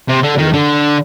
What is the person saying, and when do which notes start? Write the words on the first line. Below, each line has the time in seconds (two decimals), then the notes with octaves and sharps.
you know,
0.08 C3
0.23 D3
0.38 D#3
0.53 D3